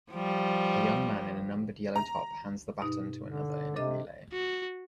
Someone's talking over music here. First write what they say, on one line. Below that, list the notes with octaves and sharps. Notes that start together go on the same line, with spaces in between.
A young man in a numbered yellow top hands the baton to another in a relay.
F3 G3
A#5
G2 B2 D#4
D3
C3 D4 A4 D#5
F#4